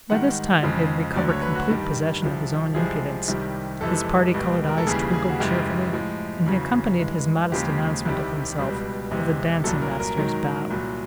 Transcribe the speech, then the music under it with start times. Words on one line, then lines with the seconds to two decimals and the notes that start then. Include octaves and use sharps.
By this time he had recovered complete possession of his own impudence; his party-colored eyes twinkled cheerfully, and he accompanied his modest announcement of himself with a dancing-master's bow.
0.10 G#2 D#3 G3 F#5
0.62 F2 C#3 F3 G#3
1.16 D2 D3 F#3 D5
1.29 C#5
1.42 B4
1.55 F#4
1.69 G2 D#3 G3
2.22 C2 C3 F3
2.75 C2 C3 F3 G#3 G#4
3.28 C2 C3 D#3 G3
3.81 F2 C3 E3 G#3 A4
4.34 C#2 B2 G3
4.68 A#4
4.78 A4
4.87 D#2 C#3 E3 G3 G#4
5.14 G#4
5.29 F#4
5.40 F#2 C#3 E3 G#3 G4
5.93 A2 F3 G#3
6.46 E2 C#3 F#3
6.99 G2 E3 G#3
7.52 D#2 C#3 F3 G#3 G4
8.05 C2 C3 D#3 G3
8.58 C#2 B2 G3
9.11 E2 C3 E3 G#3
9.64 C2 A#2 F#3 A4
9.82 A#4
10.00 A#4
10.18 G#2 D#3 F#3
10.70 C2 A#2 F#3